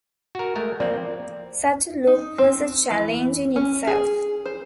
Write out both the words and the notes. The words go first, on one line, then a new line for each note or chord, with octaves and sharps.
Such a look was a challenge in itself.
F#4 A#4
G#3 A3 A#4
F3 A#3 C4 D5
D#4
C4
E3
C#4
G#4
C5